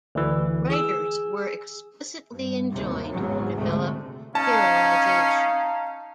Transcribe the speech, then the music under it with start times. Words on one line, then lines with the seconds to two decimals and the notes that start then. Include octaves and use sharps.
Writers were explicitly enjoined to develop heroization.
0.15 D2 E3
0.70 G#4 E6
2.32 G2
2.71 G#1 D#2 C3
3.11 G#1 E2 G#2 C#3 F#3
3.55 D2 C3 G#3 A3
4.35 C#4 D#4 F5 A5